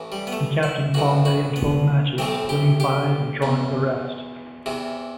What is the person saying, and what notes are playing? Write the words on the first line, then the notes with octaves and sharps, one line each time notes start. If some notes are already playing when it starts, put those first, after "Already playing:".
He captained Bombay in twelve matches, winning five and drawing the rest.
Already playing: A1 A2 E3
G3
B3
A3
E4
A1 A2 E3 F#4
F#4
B3
B1 A2 E3 C4
G4
G4
E2 B2
E2 C3 E3